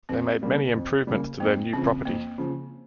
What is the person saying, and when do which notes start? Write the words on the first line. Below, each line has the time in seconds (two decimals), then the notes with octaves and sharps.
They made many improvements to their new property.
0.09 F2 C4
0.42 C#3 G3 A#3
0.75 F2
1.07 C#3 G3 A#3
1.40 F2 A#3
1.73 C#3 F3 C4
2.05 F2 A#3
2.38 C#3 F3